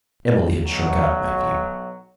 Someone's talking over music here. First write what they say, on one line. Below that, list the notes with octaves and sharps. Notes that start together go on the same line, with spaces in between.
Emily had shrunk out of my view.
B1 F#3